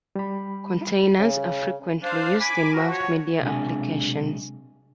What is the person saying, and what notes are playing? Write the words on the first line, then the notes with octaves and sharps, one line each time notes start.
Containers are frequently used in multimedia applications.
G3 B5
C#3
D4 C5 F5
G#5 B5 D6
F3 F#4 A#4
C#5
B1 C3 F#3 G#3 D4 G#5